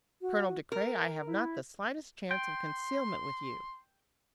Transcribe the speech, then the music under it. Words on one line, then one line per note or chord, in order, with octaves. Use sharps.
Colonel De Craye, I have not the slightest chance of concealment with you.
F#4
A#4
E4
G5 C6